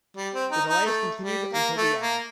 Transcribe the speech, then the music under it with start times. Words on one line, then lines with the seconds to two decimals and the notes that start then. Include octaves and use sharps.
The delays continued until the end.
0.17 G3
0.34 C4
0.51 D#4
0.69 D#4
0.86 A3
1.20 G3
1.54 A#3
1.77 A3
2.00 A#3